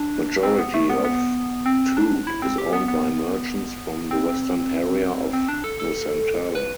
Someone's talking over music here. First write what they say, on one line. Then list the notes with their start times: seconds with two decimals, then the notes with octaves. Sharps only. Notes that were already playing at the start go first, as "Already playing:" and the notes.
Majority of toop is owned by merchants from the western area of Nusantara.
Already playing: D4
0.43 C4
0.59 B3
0.74 A3
0.90 B3
1.05 B3
1.66 C4
1.97 D4
2.27 E4
2.42 C4
2.58 G4
2.73 B3
2.88 B3
4.11 C4
5.33 C4
5.48 D4
5.64 A4
5.80 A4
6.55 B4